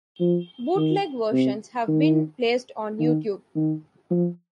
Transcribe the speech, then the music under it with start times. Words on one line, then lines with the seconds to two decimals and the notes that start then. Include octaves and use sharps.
Bootleg versions have been placed on YouTube.
0.20 F3
0.76 D#3
1.32 C3
1.88 D#3
3.00 D#3
3.56 D#3
4.11 F3